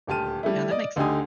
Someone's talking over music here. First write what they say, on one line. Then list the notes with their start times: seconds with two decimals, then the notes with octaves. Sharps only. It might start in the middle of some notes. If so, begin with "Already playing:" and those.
Yeah, that makes
0.07 D#1 D2 G4 A5 F6 D#7
0.43 G3 A3 E4
0.71 D5 D#5
0.96 D2 D3 D#4 G4 G#5 D#6